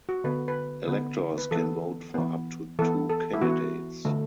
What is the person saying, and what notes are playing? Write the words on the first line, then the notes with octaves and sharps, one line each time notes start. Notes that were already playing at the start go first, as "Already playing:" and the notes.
Electors can vote for up to two candidates.
F#4
D3 B3 B4
B4
D3 B3
B4
E3 B3 A4
E3 B3
E3 B3 A4
A4
E4
E3 B3 F#4
D3 A3